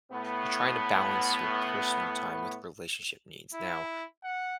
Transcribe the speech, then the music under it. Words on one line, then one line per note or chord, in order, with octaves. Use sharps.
you're trying to balance your personal time with relationship needs. Now,
A2 B3
E4
F#5